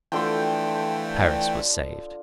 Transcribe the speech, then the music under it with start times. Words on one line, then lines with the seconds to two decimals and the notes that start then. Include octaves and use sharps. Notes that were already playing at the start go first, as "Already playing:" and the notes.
Paris was saved.
0.12 D3 E3 F3 A3 G5